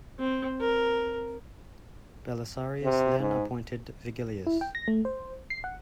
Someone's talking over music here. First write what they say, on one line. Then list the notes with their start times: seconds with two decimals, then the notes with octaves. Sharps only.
Belisarius then appointed Vigilius.
0.19 C4
0.60 A#4
2.83 C3
3.19 G#2
4.47 E4
4.61 G5
4.75 A#6
4.88 A3
5.05 C5
5.50 C7
5.64 F#5